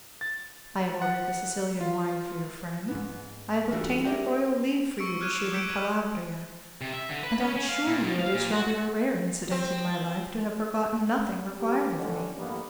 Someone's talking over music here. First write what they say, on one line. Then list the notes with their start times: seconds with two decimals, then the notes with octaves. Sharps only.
I have ordered the Sicilian wine for your friend; I have obtained the Royal leave for you to shoot in Calabria; and I assure you it is rather a rare incident in my life to have forgotten nothing required of me!
0.21 A6
1.02 F#5
1.81 F4
2.88 G#2 B3
3.71 E3 G3 A3 D4 F4 F#4
4.04 G4 G#4 A#4 D5 E5 G5
4.99 C#6 E6 C#7 D7
5.20 C#6 D6 F6 F#6 G#6 D#7
5.38 E7
5.52 D6 E6 G6 B6 C#7 D7
5.68 G#6 F#7
6.81 C3
6.94 E5
7.09 D3
7.23 B4
7.40 C#4
7.56 C#4
7.69 F5
7.88 A#2
8.03 B2
8.20 F5
8.34 A#2
8.53 F#4
9.51 C4
11.59 G4
11.96 A1 D3 D#3 C#4
12.37 A1 G2 A#3 B3